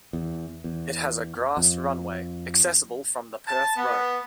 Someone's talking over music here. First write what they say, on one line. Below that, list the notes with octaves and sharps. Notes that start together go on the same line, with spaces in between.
It has a grass runway, accessible from the Perth Road.
E2
E2
F2
A5
B3